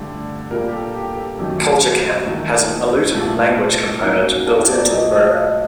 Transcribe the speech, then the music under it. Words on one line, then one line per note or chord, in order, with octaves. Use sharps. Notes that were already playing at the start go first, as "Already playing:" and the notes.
Culture Camp has an Aleut language component built into the program.
Already playing: G2 D3 A3 G4
A#2 G3 A#3 A#4
G4
A4
G4
G4
A4
F#2 D#3 F#3 A3 G4
F#4
F#4
G2 D#3 A3 D#4
C2 A#2 A3
F#2 F#3 A#3 D#4
F#4
A4
D5
A#2 F#3 A3 D#5
D#5
D#5